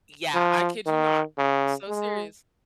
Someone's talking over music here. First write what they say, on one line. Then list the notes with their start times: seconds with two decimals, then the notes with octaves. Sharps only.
Yeah, I kid you not. So serious.
0.35 F3
0.86 D#3
1.38 C#3
1.88 G#3